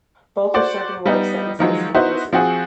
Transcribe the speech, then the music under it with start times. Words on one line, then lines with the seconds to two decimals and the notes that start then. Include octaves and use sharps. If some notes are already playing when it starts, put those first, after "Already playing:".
Both are serving life sentences in prison.
0.54 F#4 C5 D5
1.05 G3 B3 D#4
1.59 D#3 F3 F#3 G#3
1.95 B3 D#4 E4 F#4 C5
2.33 F3 C4 F#4 G#4